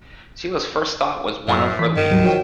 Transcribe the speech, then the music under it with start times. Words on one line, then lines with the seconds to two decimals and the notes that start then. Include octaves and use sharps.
Celia's first thought was one of relief.
1.48 F#2 A2
1.79 E3 B6
1.96 G2 D#3
2.10 D2 G#2 F#3 G3
2.25 F3 F#4 C#5 G5